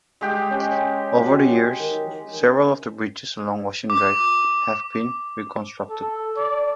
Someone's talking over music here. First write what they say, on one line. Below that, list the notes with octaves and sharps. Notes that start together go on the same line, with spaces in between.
Over the years, several of the bridges along Ocean Drive have been reconstructed.
G#3 G4 G5
C#4
F#3
D#3
D6
A4
D5